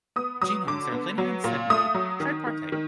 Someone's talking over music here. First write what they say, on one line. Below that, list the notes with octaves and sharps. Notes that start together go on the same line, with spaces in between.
Genomes are linear and segmented, tripartite.
B3 D#6
F#3 D#6
D3 D6
B3
F#3
A#2
A3 D#6
F#3
D#3
D#3
D#3